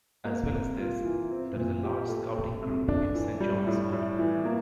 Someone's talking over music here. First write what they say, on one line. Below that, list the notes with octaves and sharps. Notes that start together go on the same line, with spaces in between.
As well as this, there is a large Scouting group in Saint Johns Wood.
A#3
C3
F4
E3
C4
A#2
G4
A3
A3
C3
D4
E3
G3
A2
A2
E3
A#3